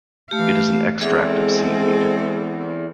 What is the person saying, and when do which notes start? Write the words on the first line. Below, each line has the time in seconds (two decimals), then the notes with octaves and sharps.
It is an extract of seaweed.
0.31 E3 A3 G4 F5
1.01 E2 G#3 C4 G#4 A4 E5